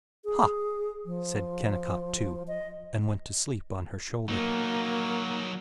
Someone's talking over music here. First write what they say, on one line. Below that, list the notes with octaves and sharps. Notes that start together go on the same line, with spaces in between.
"Huh!" said Kennicott II, and went to sleep on her shoulder.
G#4
F3
D#5
F#3 A#3 D#4